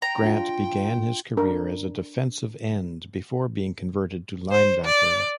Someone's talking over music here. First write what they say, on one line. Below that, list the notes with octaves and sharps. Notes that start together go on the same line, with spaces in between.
Grant began his career as a defensive end before being converted to linebacker.
G5 A#5
D4 F4
D4 A#4
C5
D5